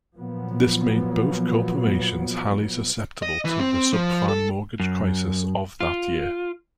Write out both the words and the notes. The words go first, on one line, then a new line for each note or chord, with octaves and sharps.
This made both corporations highly susceptible to the subprime mortgage crisis of that year.
A#2 F3 F#3 B3
D#5
E3
C4
F3
A4
F#2
F4